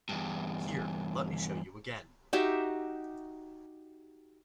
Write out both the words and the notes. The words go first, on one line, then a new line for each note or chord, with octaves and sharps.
Here, let me show you again.
E2 G2
D#4 F#4 G4 E5